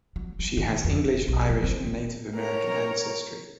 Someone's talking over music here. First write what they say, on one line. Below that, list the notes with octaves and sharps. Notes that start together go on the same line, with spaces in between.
She has English, Irish and Native American ancestry.
F#3
G3
D#3
F2
F1
B1
F#3
C4
C4
A#4 C#5